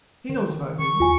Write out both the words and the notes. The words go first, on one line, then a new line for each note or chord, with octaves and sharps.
He knows about you.
D#3
D#3 C#6
D#2 F4 G#5